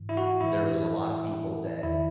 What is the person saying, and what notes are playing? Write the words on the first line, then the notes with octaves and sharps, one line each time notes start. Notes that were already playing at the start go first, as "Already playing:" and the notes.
there was a lot of people that
Already playing: G#2 E3
E4
F#4
A2 E3 E4
E2 D#3 E4